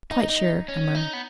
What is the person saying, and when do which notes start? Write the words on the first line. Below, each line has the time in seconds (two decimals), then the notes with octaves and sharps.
"Quite sure," I murmured.
0.11 D#4
0.30 D#4
0.68 C#4
0.95 D#4
1.13 B3